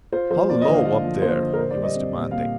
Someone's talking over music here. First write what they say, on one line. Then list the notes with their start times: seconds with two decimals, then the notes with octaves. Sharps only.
"Hullo, up there!" he was demanding.
0.12 F4 C5
0.31 F3 C5
0.49 A#3 D5
0.61 D#5
0.67 D3
0.73 F5
0.85 F4 F5
1.03 F3
1.22 A#3 C5
1.40 D3
1.53 A#4
1.58 A#2 C5
1.71 D5
1.77 G3
1.83 D#5
1.95 C4
2.13 A#2
2.31 A#2 F5